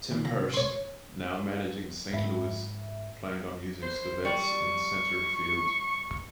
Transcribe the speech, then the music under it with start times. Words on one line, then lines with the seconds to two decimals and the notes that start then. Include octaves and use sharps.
Tim Hurst, now managing Saint Louis, planned on using Stivetts in center field.
0.11 D#3
0.25 C3 A#5
0.54 C#5 C6
2.13 G#2 E5
3.83 C5
4.25 G3 C#6